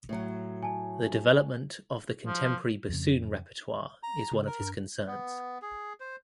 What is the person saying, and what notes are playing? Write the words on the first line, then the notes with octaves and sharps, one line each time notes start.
The development of the contemporary bassoon repertoire is one of his concerns.
A2 F#3
G#5 A5
F3
F2 C#3
A#5
C#3
A#4
G2
B3
G#4
C5